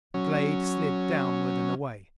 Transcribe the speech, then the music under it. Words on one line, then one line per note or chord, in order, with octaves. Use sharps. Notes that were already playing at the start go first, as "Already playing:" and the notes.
The glade slid downward and away.
F#3 C#4